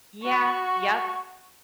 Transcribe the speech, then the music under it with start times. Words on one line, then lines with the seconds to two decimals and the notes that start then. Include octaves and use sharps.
Yeah, yep.
0.23 F#4 C#6